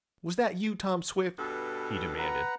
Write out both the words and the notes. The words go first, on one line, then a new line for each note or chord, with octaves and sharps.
"Was that you, Tom Swift?" he demanded.
G2 B2 A4
B4 F#5 A#5